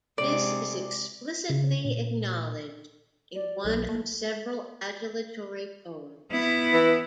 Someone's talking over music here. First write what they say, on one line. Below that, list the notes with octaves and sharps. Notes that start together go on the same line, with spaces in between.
This is explicitly acknowledged in one of several adulatory poems.
C3 G#3 D5
C#3
A#2
D5
B1 A4
A3 A#3
B3 E4
E3